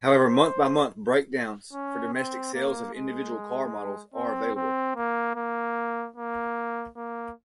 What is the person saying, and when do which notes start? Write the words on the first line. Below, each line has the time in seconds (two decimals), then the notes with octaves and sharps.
However, month by month breakdowns for domestic sales of individual car models are available.
0.12 C5
1.74 C#4
2.14 C4
2.54 A#3
2.94 G#3
4.15 C4
4.56 C4
4.96 A#3
5.36 A#3
6.16 A#3
6.97 A#3